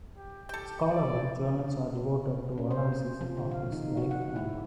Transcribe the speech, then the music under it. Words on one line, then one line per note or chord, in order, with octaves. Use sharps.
Scholarly journals are devoted to analysis of his life and work.
G4
G4 A4 G5
D5
C#4
C5
C3
F3
D3
F5
D#4
F#4
F#5
E4